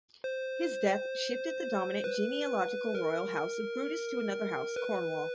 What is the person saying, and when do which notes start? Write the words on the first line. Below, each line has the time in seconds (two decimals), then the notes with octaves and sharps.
His death shifted the dominant genealogical royal house of Brutus to another house, Cornwall.
0.24 C5
2.04 B4
2.94 A#4
4.76 B4